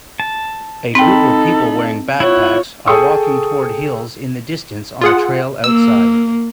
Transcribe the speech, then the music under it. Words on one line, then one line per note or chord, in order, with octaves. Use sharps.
A group of people wearing backpacks are walking toward hills in the distance on a trail outside.
A5
C4 D#4 A4 G5 B5
E4 F4 C#5 F#5
G#4 A4 G5 C#6 D#6 E6
F4 G#4 F#5
A#3 E6